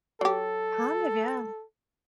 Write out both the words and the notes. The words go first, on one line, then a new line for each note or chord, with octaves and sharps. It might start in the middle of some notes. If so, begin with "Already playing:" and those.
Kind of, yeah.
F#3 G4 A4